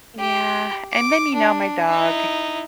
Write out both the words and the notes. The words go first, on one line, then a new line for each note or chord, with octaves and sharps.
yeah, and then, you know, my dog,
G4
D6
D4
D#4 E4